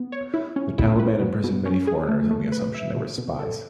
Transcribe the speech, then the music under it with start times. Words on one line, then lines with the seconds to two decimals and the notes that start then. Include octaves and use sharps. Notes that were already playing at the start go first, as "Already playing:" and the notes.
The Taliban imprisoned many foreigners on the assumption they were spies.
Already playing: B3
0.12 C#5
0.34 E4
0.56 C#4
0.78 E4
0.99 B4
1.21 B2
1.44 B2
1.66 C#4
1.87 G#4
2.08 A3
2.31 A3
2.52 B4
2.74 E5
2.96 B2
3.18 B2
3.39 A4